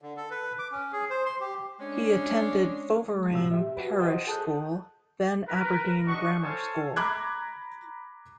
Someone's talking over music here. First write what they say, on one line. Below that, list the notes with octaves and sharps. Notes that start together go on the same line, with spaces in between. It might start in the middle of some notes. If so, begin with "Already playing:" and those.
He attended Foveran Parish School then Aberdeen Grammar School.
D3
A4
B4
D6
C#4
G#4
C5
C6
G4
G#3 C#4 D4
G#3
A2 C3 F#3 E6
G4 E5
F#4 G4 B4
F4 C5 D#5 F#5 G5 D#6
G#4 A4 A5 D#6 F#6 G6
A#4 B4
D4 F#4 D#5 F#5 C#6
A4 C5 C#5 F5 G#5 A5
A#5 B5 D6 F#6 G#6